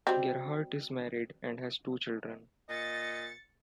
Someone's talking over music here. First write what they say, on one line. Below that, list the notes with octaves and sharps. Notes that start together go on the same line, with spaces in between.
Gerhardt is married and has two children.
G3 C4 F#4 C5 D#5
A#2 D#5 A6 C#7